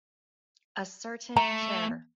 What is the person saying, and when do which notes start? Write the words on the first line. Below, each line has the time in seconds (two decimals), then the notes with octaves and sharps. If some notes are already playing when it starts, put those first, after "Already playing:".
A certain Chr.
1.37 A3 A#5